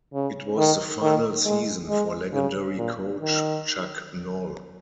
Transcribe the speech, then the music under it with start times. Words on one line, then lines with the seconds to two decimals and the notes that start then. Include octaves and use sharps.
It was the final season for legendary coach Chuck Noll.
0.14 C#3
0.57 D#3
1.02 D#3
1.45 G#3
1.89 G#3
2.33 C#3
2.77 A#2
3.20 D#3